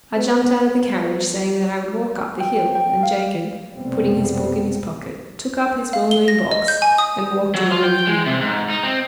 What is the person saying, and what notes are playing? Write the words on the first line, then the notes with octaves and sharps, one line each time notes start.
I jumped out of the carriage, saying that I would walk up the hill, and Jacob, putting his book in his pocket, took up his well-known box, and walked along with me.
B3
G5
G5
F5
F1 B2 G3 A3 B3 C4
F5
G7
A#6
D#5
G6
G#5
D#6
F#3
F4
G5
G#3
C3
G#2
D#4
C4